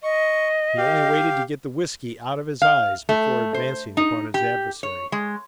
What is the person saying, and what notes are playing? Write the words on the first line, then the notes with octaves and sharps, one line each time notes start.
He only waited to get the whisky out of his eyes before advancing upon his adversary.
D#5 C#6
G4 F5
F5
A3
C5
D#4
G4
C#5
G#3